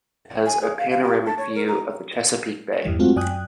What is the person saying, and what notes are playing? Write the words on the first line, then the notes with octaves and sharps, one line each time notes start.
It has a panoramic view of the Chesapeake Bay.
G#5
G#4
F5
F5
G4
A5
C#5
A#4
A#5
E2 G2 E3 G3
F#3 G#3 A3 C4 F4 F#4
F#2 D5 G5 G#5 D#6 F#6